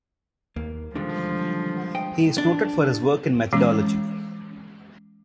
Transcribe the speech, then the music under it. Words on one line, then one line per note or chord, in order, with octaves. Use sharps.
He is noted for his work in methodology.
D#2 A#3
B1 D3 D#3 F3 G3 G#3 D4
C5 D#5 G5
D4
E3 G#3 C#4